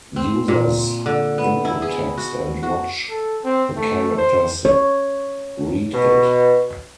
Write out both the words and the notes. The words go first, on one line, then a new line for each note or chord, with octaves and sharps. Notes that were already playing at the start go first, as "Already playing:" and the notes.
Users input text and watch the characters read it.
C4
A#2
D3
B3
E4
G#4
F#4
F#4
A4
C4
A3
C5
C#5
B2